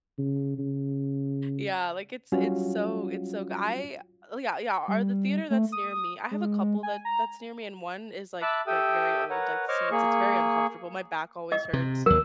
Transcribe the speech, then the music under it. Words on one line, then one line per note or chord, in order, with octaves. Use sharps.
Yeah, like, it's it's so it's so goo l uh yeah, yeah or the theater that's near me; I have a couple that that's near me and one is, like like, very old, like, seats it's very uncomfortable, my back always hurts.
C#3
C#3
F#3 G3 C#4 F4 F#4
G3
A3
D#6
G#3
G#5
A#5
E5 A5 B5 D6 E6 F#6
G4 A4 E5 G5 D#6
A#4 B4 C#5 F#5
C5 C#5 D#5 C#6 D6 F6
A#3 G#4 C#6
D#5
C3
D#2 F#3 A#4